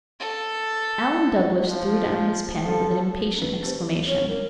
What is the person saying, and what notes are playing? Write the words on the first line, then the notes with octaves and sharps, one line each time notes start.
Alan Douglas threw down his pen with an impatient exclamation.
A4
F3
F3 A4
C#4 B4
C4 G4 C5
C#5
A#4